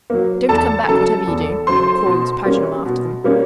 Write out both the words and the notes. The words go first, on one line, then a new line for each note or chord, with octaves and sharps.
"Don't come back whatever you do," called Paganel after them.
F#3 A#3
E2 A4 A5
C#3 F#3 A4 A5
E2
C#3 F#3 C5 C6
B2
G3 A#3 C#4
B2
G3 A#3 C#4